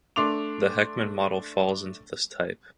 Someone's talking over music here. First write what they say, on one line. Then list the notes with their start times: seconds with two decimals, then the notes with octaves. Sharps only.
The Heckman model falls into this type.
0.16 A3 D4 C6 D6 F7